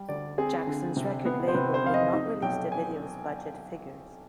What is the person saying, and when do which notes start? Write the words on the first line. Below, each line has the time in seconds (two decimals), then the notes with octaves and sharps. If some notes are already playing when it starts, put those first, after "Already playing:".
Jackson's record label would not release the video's budget figures.
Already playing: G3
0.09 D2 D5
0.38 C4 G#4
0.67 D3
0.96 C3
1.25 B3
1.48 C5
1.54 C3 B4
1.74 C5
1.84 F2 F5
1.94 D#5
2.13 D#4
2.42 B1 G5
2.72 G#5